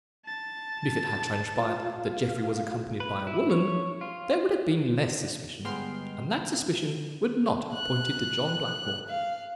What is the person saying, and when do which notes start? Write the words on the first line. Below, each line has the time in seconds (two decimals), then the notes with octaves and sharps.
But if it had transpired that Jeffrey was accompanied by a woman, there would have been less suspicion, and that suspicion would not have pointed to John Blackmore.
0.24 A5 A6
1.59 F4
3.00 B4
3.27 E4
3.50 C#5
4.01 F4
5.65 G1 G#3 B3 G5 C6 F6
7.74 F#6
9.08 F5